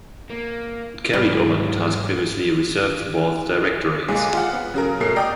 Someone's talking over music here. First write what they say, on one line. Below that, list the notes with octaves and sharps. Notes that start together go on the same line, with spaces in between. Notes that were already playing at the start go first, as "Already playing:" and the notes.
It carried over the tasks previously reserved for both directorates.
A#3
G#2 F#3 G3
B1 A#2 G#3
F4 F#5
B3
C#3 F#3 A#4
B2 A3 A#4 C7
D5 D#5 G5 A#5 D#6